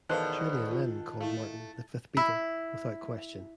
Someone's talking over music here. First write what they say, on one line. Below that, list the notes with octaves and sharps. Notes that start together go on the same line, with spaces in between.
Julian Lennon called Martin "The Fifth Beatle, without question".
E2 B2 D#3 A4 B4 C5 F5 F#6
F4
A3 E4 F5
E4